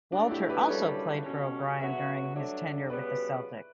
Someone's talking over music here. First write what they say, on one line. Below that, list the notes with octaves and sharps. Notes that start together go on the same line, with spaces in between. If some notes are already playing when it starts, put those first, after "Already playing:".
Walter also played for O'Brien during his tenure with the Celtics.
B2 F#3 A3 D4 F#4
E4 G4
G4 B4
F#2 C#3 G3 C#4 A4 C#5
B2 G3 C#4
C#3 F#3 B3 F#4 C#5 E5
G2 F#3 A3 D4
C#3 G3 B3 F#4 B4 D5